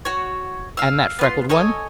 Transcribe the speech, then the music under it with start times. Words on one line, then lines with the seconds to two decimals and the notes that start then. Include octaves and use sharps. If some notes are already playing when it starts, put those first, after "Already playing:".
"And that freckled one?"
0.05 F#4 C#5
0.77 F5 E6
1.19 B3 F4 C6
1.49 A4 C#5 D#5 G#5